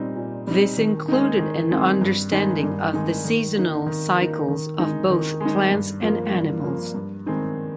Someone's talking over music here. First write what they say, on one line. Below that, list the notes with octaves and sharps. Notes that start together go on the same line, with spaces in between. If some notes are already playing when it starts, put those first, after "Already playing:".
This included an understanding of the seasonal cycles of both plants and animals.
Already playing: A#2 G3 C4 D#4
A#2
G3 C4 D#4
D#3
G#3 C4 D#4
D#3
G#3 C4 D#4
G2
D#3 G#3 D#4
G2
D#3 G#3 D#4
D#3
A#3 D#4
D#3
A#3 D#4
D#3
G#3 D#4
D#3
G#3 D#4
G2
F3 A#3
G2
F3 A#3
G2
D#3 G#3 C4 D#4